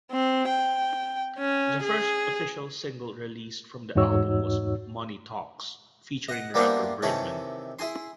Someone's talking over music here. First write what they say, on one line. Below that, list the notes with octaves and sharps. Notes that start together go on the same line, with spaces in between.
The first official single released from the album was "Money Talks" featuring rapper Birdman.
C4
G5
C#4
G#4
E2 G#2 D#4 F#4 C#5 E6
D#5 F#5
G3 A#3 B3 D4 E4 C5
C3 D#3 E3 A4 C#5
E4 G#4 G#5 C6